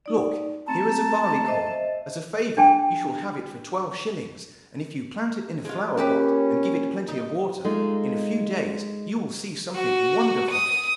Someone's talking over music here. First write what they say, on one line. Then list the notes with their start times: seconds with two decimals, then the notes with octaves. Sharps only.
'Look, here is a barley corn, as a favour you shall have it for twelve shillings, and if you plant it in a flower-pot, and give it plenty of water, in a few days you will see something wonderful.'
0.06 D#4 D5
0.67 A3 C4 A5 A#5
1.47 C5 D#5 E5
2.57 D4 G#4 G5 G#5
5.65 G#3 F4
5.97 A#3 C#4 G4 B4
7.08 D#4
7.65 G#3 A3 D#4 F4
9.75 F#4
10.51 D#6